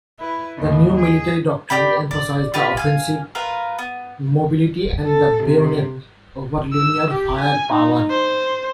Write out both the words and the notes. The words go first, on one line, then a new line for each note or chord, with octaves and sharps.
The new mililary doctrine emphasised the offensive, mobility and the bayonet, over linear firepower.
E4 B4
D#2 A2
G#4
G4 D5 G5 B5
D5
F4 G4 B4
F5 G#5
F4 A#4 B4
B3
A4
C3
E6
G4
G#5
D#4
C5